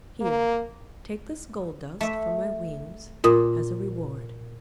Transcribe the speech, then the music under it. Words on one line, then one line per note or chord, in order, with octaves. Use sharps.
Here, take this gold-dust from my wings as a reward.
A#3
A3 E5
A#2 F4 A#4 D#6